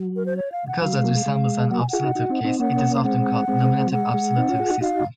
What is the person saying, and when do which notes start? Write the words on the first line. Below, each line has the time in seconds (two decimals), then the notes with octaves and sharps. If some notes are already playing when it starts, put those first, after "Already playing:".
Because that resembles an absolutive case, it is often called a nominative-absolutive system.
Already playing: F#3
0.16 A#4
0.26 C5
0.37 C#5
0.52 F5
0.68 F#5
0.81 F#3 F5
0.93 G#3
1.04 F#3 A#3
1.15 G#3
1.26 G#3
1.70 F#3 A#3 F#5
1.80 G#5
1.89 F4 G#4 F#5
2.03 D#4 F#4
2.15 D#4 F#4
2.29 C4 D#4
2.44 C4 D#4
2.59 A#3 C#4 F#5
2.95 F5
3.03 G#3 C4 F#5
3.48 G#3 C4
3.87 F#3
3.92 G#3 F#5
4.14 G#3
4.37 C4 D#4
4.48 C#4 F4
4.59 F4 G#4
4.70 D#4 F#4
4.81 D#4 F#4 F5